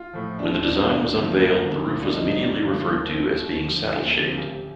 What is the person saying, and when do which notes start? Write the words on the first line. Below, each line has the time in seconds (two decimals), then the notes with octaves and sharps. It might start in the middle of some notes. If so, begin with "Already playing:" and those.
When the design was unveiled, the roof was immediately referred to as being saddle-shaped.
Already playing: F4
0.13 A2 F3
0.39 D#2 D4
0.52 C4
0.64 D#3 D4
0.76 C4
0.88 D2 D4
1.01 D4
1.13 D3 F3 C4
1.26 A#3
1.38 G1 A#3
1.64 F2 D3
1.89 D2 A#3
2.02 D4
2.14 C3 F3 D#4
2.26 D#4
2.38 G1 D4
2.63 G2 D3 F3
2.88 D#2 A#3
3.13 D#3 C4
3.39 D#2
3.63 D3 F3
3.88 D2
4.01 C4
4.14 D3 F3 A#3
4.26 C4
4.34 F4
4.38 A1 G4